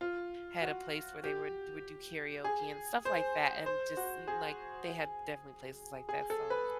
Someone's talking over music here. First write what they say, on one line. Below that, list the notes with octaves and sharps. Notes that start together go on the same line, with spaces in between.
had a place where they would would do karaoke and stuff like that, and just, n like, they had definitely places like that, so
F4
F#4
G4
G#4
C5
C5
F#4
G#4
G#4
A4
B4